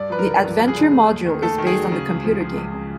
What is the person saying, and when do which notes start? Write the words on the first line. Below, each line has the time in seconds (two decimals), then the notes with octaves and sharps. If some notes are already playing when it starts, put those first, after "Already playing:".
The adventure module is based on the computer game.
Already playing: G2 D5
0.10 F3 B4
0.19 A#4
0.26 D3
0.43 G2
0.59 F3
0.68 G#4
0.76 D3
0.92 A3
1.08 D#2
1.26 D#3
1.42 A3 A4
1.58 D#3
1.67 G#4
1.75 F#3
1.92 C#3
2.08 C#2
2.24 F3
2.40 F3
2.57 C#2
2.74 C#3